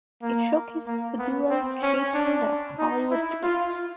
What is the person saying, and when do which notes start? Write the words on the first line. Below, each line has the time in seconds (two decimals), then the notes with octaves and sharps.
It showcases the duo "chasing their Hollywood dreams".
0.22 A#3
0.87 A#3
1.18 B3
1.50 C4
1.83 C#4
2.14 D4
2.79 D#4
3.11 E4
3.43 F4